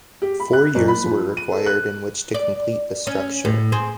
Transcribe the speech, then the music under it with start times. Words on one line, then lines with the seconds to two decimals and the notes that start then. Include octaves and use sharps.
Four years were required in which to complete the structure.
0.22 G4
0.40 B5
0.53 F#6
0.75 F#1
0.88 B5
1.04 F3
1.37 D#7
1.52 A4
1.66 F#6
2.34 D5
3.07 C#4
3.45 A2
3.72 C4 G#4